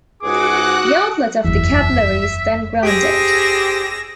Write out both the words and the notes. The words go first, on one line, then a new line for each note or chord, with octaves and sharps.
The outlet of the capillary is then grounded.
C#2 G#2 F#4 G#4 F#5 D6 F#6
F#1 E2 E5
G4 G#4 C5 E6 A#6